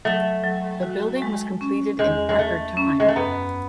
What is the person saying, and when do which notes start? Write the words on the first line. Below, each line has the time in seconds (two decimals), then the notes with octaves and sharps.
The building was completed in record time.
0.05 F#3 A3
0.43 F#3
0.83 F#4
1.22 G#3
1.61 C#4
1.99 E2 G#3
2.29 G#3
2.39 A3 G#4
2.77 C#4
3.00 G#3
3.08 A3
3.16 F#2 B3